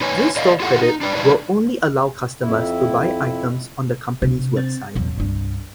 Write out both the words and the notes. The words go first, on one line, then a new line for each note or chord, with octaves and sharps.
This store credit will only allow customers to buy items on the company website.
D#4 B4 C#5 G#5
A#4 D5 D#5 F5
E4 F4 G4 A4 F#5
D#4
D4 B4 D5
D4 D#4 B4
F2 E4
C3 D4
C4 A6
A1 E2 B2 F#3
C2 G2 D4